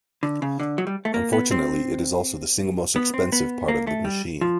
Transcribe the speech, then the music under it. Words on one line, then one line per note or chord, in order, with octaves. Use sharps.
Unfortunately it is also the single most expensive part of the machine.
D3
C#3
D3
F#3
G3
A3
A#3
B3
C4
B3
C4
B3
A#3
A3
G3
F3